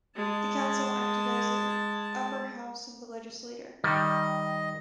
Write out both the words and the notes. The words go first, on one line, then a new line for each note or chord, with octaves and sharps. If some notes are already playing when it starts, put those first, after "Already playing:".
The council acted as an upper house of the legislature.
G#3 A5
D#3 G3 D#5